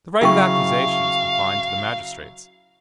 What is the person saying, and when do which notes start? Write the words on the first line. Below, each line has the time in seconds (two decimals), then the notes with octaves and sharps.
The right of accusation was confined to the magistrates.
0.21 C#3 F#3 E4 E5 F5 G5 C#6